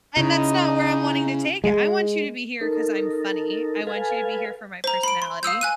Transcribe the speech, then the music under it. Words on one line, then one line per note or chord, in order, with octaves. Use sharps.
And that's not where I'm wanting to take it. I want you to be here 'cause I'm funny, I want you to be here for my personality.
C#3 D#4 E4 D#5
G#3
D#4 A4 A#4
A4 B4 F5 G#5
C5 A#5
B5 D7
C6
F5 D#6 E6 G6
G#5 F#6 D#7